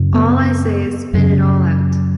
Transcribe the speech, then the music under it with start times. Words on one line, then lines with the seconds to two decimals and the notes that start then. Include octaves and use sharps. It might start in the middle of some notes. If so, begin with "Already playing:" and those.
All I say is spit it all out!
Already playing: F#2 C#3
0.14 B3
1.14 F#2 C#3